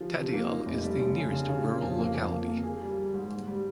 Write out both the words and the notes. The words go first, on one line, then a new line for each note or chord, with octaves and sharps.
Tadiyal is the nearest rural locality.
F3
C3
A#3
D#4
F1
G3
F1
C#3
C#3
C#3
C#3
F2
A#3
F2
A#3
A#3
G#4
G3
G3
G#2
G#2
G3